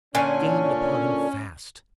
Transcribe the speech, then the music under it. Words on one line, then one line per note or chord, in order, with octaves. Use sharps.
It gained upon him fast.
A#2 D3 C#4 G#5